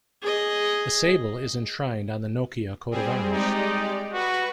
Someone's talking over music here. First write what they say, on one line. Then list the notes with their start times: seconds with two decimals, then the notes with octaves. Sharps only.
The sable is enshrined on the Nokia coat of arms.
0.22 G#4 D#5
2.91 G3 C4 G#4
3.32 G#3 D#4 G4 D5
4.13 F#4 B4 C#6